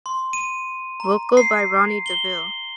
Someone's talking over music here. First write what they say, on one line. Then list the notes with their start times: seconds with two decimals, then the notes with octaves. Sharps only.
Vocal by Ronnie Deauville.
0.06 C6
0.33 D#7
1.00 A#5
1.37 C7
2.06 G7